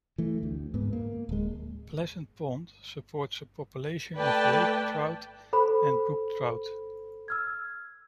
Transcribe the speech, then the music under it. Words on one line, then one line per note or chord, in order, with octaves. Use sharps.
Pleasant Pond supports a population of lake trout and brook trout.
E3 A3
D2
G#2 B3
A#3
D1 G#3
A3 B4 D5 G5 A5
A4 C5 B5
E6 F6 G#6